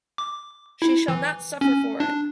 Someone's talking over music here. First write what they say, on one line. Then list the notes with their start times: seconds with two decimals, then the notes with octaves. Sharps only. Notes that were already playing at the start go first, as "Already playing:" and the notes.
She shall not suffer for it!
0.18 D6
0.82 E4
1.08 E3
1.61 C#4
2.00 D4